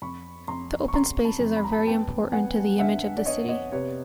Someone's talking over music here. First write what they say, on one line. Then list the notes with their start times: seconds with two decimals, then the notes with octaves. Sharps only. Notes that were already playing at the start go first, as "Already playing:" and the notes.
The open spaces are very important to the image of the city.
0.02 F2 B5 C#6
0.48 F2 A#5 C6
0.88 C#6
0.94 C#3 A#5 C6
1.25 A5 B5
1.40 F2
1.57 B5
1.64 A#5
1.72 A5 B5
1.87 B3 G5 A5
2.33 B3 F#5 G#5
2.79 D3 E5 F#5
3.18 D5
3.25 B3 C#5 D#5
3.49 C#5 D#5
3.72 C3 B4 C#5